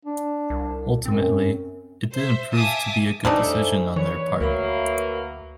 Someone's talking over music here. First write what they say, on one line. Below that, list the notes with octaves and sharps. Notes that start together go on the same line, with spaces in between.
Ultimately, it didn't prove to be a good decision on their part.
D4
C2
F#2 C4
C5 E5
E5 F5 G#5 A5 D6 D#6
F2 A2 G3 A3 D4 D#4 C5 G#5
A#2 E3 B4 C#5
D2 F#3 A#3 B4 E5 B5